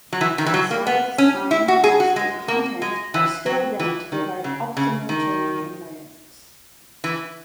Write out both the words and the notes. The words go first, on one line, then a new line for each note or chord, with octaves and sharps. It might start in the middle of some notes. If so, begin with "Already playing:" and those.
Class size, time, task, and content are scaled down to provide optimal training environments.
F#3
E3
D#3
E3
F#3
A#3
B3
C#4
E4
F#4
G#4
F#4
G#3
A#3
G#3
E3
F#3
E3
D#3
C#3
C#3
D#3
E3